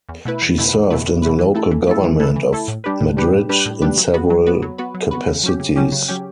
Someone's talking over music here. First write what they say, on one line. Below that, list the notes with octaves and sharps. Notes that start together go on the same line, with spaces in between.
She served in the local government of Madrid in several capacities.
E2
B2 A3 E4 B4
E2
B2 A3 E4 B4
E2
B2 A3 E4 B4
E2
B2 A3 E4 B4
E3
A3 E4 A4
E3
A3 E4 A4
E3
A3 E4 A4
E3
A3 E4 A4
A2
G3 D4 G4 B4
A2
G3 D4 G4 B4
A2
G3 D4 G4 B4
A2
G3 D4 G4 B4
F#3
B3 F#4 B4
F#3
B3 F#4 B4
F#3
B3 F#4 B4
F#3
B3 F#4 B4
C#3
F#3 C#4 G4
C#3
F#3 C#4 G4
C#3
F#3 C#4 G4